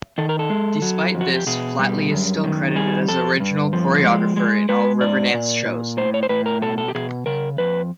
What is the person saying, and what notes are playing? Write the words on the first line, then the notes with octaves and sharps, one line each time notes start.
Despite this, Flatley is still credited as original choreographer in all Riverdance shows.
D#3 A4
A#4
A4
G#3
F#3
F2
F#4
G4
B2 G#4
G3
F#2
D#3
G3 G#4
F2 A4
G2
F3
G#3
G#3
G#3 B4
G#2 D5
A#2
A#2
A2 C5
C#5
C5
A2 B4
A#4
B2 A4
A4
G4
B2 G#4
C#3 A#4
F2 B4